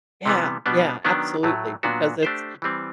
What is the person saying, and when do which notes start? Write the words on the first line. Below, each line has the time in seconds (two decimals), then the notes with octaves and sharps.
Yeah yeah, absolutely, because it's
0.26 C3 E3 G3 B3
0.66 B2 G3 B3 D4
1.05 D#3 F#3 B3 D4
1.43 A2 F#3 A3
1.83 A#2 F#3 B3 D4 F#4
2.23 A3 D4 G4 C5
2.62 E3 G3 C4